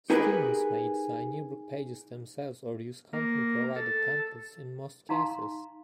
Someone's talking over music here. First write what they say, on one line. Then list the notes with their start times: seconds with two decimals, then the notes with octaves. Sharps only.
Students may design yearbook pages themselves or use company-provided templates in most cases.
0.10 D#4 G4 G#4 A#4 B4
3.13 A#3
3.76 A4
5.09 D#4 F5 A#5 C6